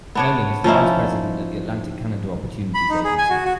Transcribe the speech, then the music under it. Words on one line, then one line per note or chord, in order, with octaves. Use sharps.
Nowlan is the Vice president at the Atlantic Canada Opportunities Agency.
B3 D4 C#5
F3 C#4 D#4 E4
B5
D#4
G#4
G#5
F#4
F#4